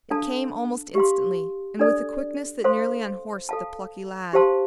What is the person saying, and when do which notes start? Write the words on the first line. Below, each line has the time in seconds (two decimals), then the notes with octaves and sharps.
It came almost instantly, and with a quickness that nearly unhorsed the plucky lad.
0.11 D4 A4 F5 A5
0.95 G4 F5 C6
1.79 D4 A4 D5
2.64 A4 C5 F5 C6
3.49 A4 F5 A5
4.33 G4 C5 F5 A5 C6